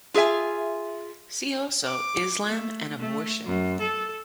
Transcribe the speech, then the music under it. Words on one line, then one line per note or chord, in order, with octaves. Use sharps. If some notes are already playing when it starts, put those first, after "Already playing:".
See also: Islam and abortion.
F4 G#4 A#4 E5 G#5
D6
A3
A3
F#2
A4